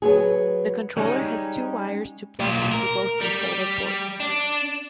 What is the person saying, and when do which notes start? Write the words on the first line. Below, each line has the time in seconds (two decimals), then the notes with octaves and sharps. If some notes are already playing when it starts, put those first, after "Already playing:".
The controller has two wires to plug into both controller ports.
0.02 F#3 B3 G#4
0.97 G3 G#3 C#4 D#4
2.40 B1 A#2
2.72 A#4
3.21 G3
4.20 D4